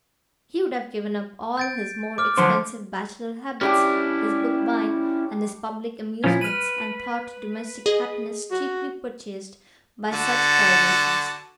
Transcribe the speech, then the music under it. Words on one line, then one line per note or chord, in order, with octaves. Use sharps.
He would have given up all his more expensive bachelor habits--his book-buying, and his public amusements, and thought domestic happiness cheaply purchased by such privations.
G6 A6 D7
D6 F6
D3 F3 F#3 C5
G3 C#4 D4 E4 G4
A#2 F3 C#4 E4
B4 F6 D#7
G#4 D#5
F#4
D3 F#4 A5